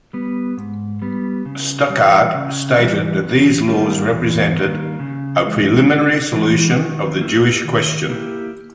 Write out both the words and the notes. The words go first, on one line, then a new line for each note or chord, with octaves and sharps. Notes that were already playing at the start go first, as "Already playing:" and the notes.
Stuckart stated that these laws represented "a preliminary solution of the Jewish question".
G3 B3
G#2
G3 B3
C#3
E3 G3
C#3
E3 G3
E2
D#3 G3 A#3
E2
D#3 G3 A#3
C#3
E3 G#3
C#3
E3 G#3
D#3
A#3 E4 G4
D#3
A#3 E4 G4